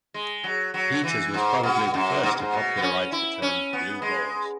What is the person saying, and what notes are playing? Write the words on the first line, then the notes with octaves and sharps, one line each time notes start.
Peters was probably the first to popularize the term "blue laws".
G#3
F#3
F#3
E3
G#2
B2
F#2
G#2
B2
G#2
B2
B3
C#4
E4
C#4
B3
G#3